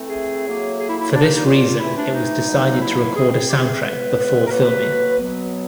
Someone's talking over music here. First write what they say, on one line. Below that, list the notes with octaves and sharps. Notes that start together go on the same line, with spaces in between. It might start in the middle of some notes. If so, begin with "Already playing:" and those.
For this reason it was decided to record a soundtrack before filming.
Already playing: E3 A3 C4
G#4
A2 F#3 A#3
G#4
E4
E4
A#2 G3 A#3 D4
D#4
D#4
F4
C3 E3 A3 E4
D4
D#4
B2 F#3 A#3
E4
E3 A3 C4 G#4
G#4
G4
G#4
A2 F3 G#3 B3 B4
A#4
A2 F#3 A#3 B4
B2 F#3 B3